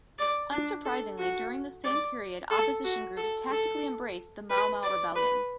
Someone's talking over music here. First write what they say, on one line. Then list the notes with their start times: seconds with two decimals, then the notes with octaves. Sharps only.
Unsurprisingly, during this same period opposition groups tactically embraced the Mau Mau rebellion.
0.19 D5
0.52 D4
0.85 A4
1.19 F#4
1.84 D5
2.51 A4
2.84 F#4
3.17 A4
3.50 A4
4.50 B4
4.83 D5
5.16 B4